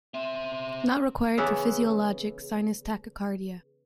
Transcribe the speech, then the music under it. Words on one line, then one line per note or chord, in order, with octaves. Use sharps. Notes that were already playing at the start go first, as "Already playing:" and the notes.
Not required for physiologic sinus tachycardia.
C4 E5
C#3 E3 B3 C#4 E4